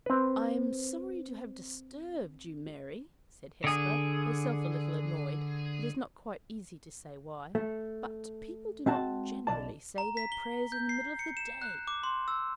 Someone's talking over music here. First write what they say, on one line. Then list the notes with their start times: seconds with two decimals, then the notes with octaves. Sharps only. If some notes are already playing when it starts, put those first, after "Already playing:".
"I am sorry to have disturbed you, Mary," said Hesper, herself a little annoyed, it is not quite easy to say why; "but people do not generally say their prayers in the middle of the day."
0.06 C4 B4
3.64 D3 G#4
7.55 A3
8.86 G#3 C4 F#4 A5
9.47 B1 D5 A5
9.98 A#5
10.17 B6
10.32 G7
10.72 G6
10.89 C7
11.19 C#7
11.37 E7
11.62 F#6
11.88 D6
12.03 C6
12.28 E6